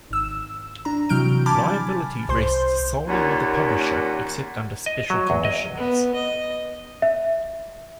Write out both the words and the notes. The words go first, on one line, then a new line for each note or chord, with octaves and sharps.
Liability rests solely with the publisher, except under special conditions.
G#1 E6
D4 A#5
C3 E3 F#3 F6 G6 D7
G#5 A5 B5 D6 F6 A6
C2 C5 C6 G6
D#2 A#2 C#4 F#5
D#5
F#3
E2
D#5
B3
D#5
E5